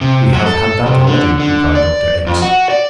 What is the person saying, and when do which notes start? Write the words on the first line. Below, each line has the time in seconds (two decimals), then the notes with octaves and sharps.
"We have had that already," replied Dr. X----.
0.01 C3
0.33 F#3
0.46 A4
0.86 C3
1.07 D3
1.39 D3
1.75 D5
2.27 F2
2.42 F#4
2.70 D5